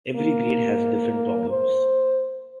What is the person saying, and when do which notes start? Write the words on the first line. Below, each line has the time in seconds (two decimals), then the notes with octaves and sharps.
Every grade has different problems.
0.16 A#3
1.50 C5